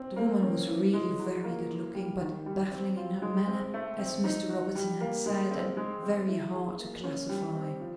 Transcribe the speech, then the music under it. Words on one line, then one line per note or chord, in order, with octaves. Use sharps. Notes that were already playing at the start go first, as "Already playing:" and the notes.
The woman was really very good-looking, but baffling in her manner, as Mr. Robinson had said, and very hard to classify.
Already playing: C4
A#3
C#4
E3
G#3
F#3
A#3
E3
G3
D#3
G3
C4
F4
G#3
C4
A3
C4
D#4
F#4
G3
A#3
G#3
C4
G#3
C4
E4
G#4
A#3
C#4
G3
C4
F3